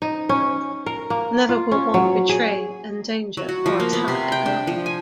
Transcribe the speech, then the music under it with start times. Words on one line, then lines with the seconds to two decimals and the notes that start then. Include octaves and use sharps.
Never will one betray, endanger, or attack another.
0.02 D#4
0.29 C#4
0.86 A#4
1.10 A#3
1.49 F4
1.71 C#4
1.94 F#3
2.29 G#4
3.37 F#3
3.49 F#4
3.66 F3
3.80 A#3
3.93 B3
4.08 C3
4.32 G5
4.46 D4
4.67 F3
4.86 G#5